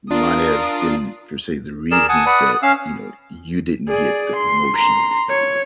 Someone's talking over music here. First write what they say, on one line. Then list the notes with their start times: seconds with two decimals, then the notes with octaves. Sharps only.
might have been per se the reasons that, you know, you didn't get the promotion?
0.11 D4 F4 A#4 D#6
1.91 G#4 A#4 D5 E7
2.09 F#5 G#5 A5 D#6
2.26 B4 D5 F#5
2.63 C#4 F5 E6
3.88 G#4 D5
4.36 C6
4.75 A#5 C6
5.29 C#5